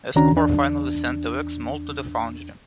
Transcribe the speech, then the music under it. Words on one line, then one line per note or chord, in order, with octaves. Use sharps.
Escobar finally sent a wax mold to the foundry.
C#2 D#3 C#4 D4 F#4 A#5
E2 D4